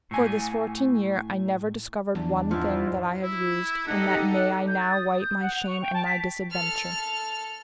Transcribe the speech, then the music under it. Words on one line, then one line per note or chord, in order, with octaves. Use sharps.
For this fourteen year I never discovered one thing that I have used, and that may I now wite my shame and my disadventure.
A2 G#5
E2 D4
G#2 F3 E4 F4
E4
D#4 G4 A4 F#5
G6
A6
D#6
D#6
G6
F#5
F7
C#6
G5
A5
B6
A4 F6